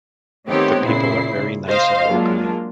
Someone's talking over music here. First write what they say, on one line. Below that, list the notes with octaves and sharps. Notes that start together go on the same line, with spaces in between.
The people are very nice and welcoming.
D#3 A3 B3 C4 G4 C#5
A#2 C#3 E4 C7
C5 D#5 F5
F#3 G#3 A#3 D4 F4